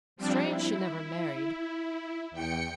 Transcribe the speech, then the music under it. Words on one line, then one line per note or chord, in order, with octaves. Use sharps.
Strange she never married.
F3 G3 C4 D4
E4
E2 G5 C#7